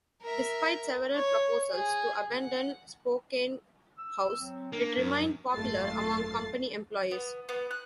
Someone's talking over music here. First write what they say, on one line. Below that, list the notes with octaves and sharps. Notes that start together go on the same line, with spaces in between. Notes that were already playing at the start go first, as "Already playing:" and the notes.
Despite several proposals to abandon Spokane House, it remained popular among company employees.
A#4 E5
C#5
G#4
F#5
E6
F#3 C4
A#3 D4 A#4
F#2
G#1 F#2 A3 F4 A6 C7
B3
B3
F#6